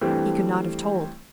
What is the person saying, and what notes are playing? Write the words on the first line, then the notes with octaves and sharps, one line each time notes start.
He could not have told.
E3 G3 A3 C4 D4